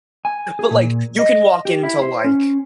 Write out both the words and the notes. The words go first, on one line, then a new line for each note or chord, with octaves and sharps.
but, like, you can walk into like
G#5
G#4
A#2
D#5
G4
E4
C5
C#4